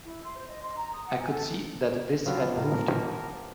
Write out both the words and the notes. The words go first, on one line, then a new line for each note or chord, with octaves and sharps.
I could see that this had moved him.
E4
C6
C5
D#5
C6
A#5
D#6
F#5
G#5
A4
C#3 F3 F#3 B3 G4 F5
A2 A#4